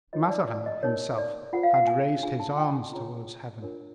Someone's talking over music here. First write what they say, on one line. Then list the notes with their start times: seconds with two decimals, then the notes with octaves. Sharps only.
Mazarin, himself, had raised his arms towards heaven.
0.13 F4 A#4 C#5 D#5
0.30 D5
0.48 D5
0.66 D#5
0.83 D#4 G4 A#4 C#5
1.18 D5
1.53 F4 A4 C5 F#5
1.63 F5
1.74 F#5
1.87 G#5
2.23 D4 F4 G#4 G#5
2.40 A5
2.58 G5
2.75 G#5
2.92 F4 G#4 C#5 A#5
3.62 D4 F4 A#4 C#5